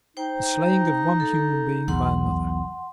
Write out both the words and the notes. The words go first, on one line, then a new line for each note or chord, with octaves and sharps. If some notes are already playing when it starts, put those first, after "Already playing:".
The slaying of one human being by another.
D#4 C5 G5
A4
B1 E2 F#5 C6